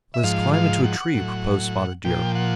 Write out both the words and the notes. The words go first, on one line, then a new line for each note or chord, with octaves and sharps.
"Let us climb into a tree," proposed Spotted Deer.
E5
G#2 F3 F5
F5
F#5
A2 F#3
A#2 F3 G5
F#5